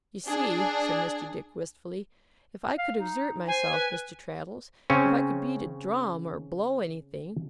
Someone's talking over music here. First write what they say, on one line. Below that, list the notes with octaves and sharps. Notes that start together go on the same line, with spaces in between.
'You see,' said Mr. Dick, wistfully, 'if I could exert myself, Mr. Traddles--if I could beat a drum--or blow anything!'
D4 G#4
F5
D#4
C5 G#5
B4
C#3 C4 C#4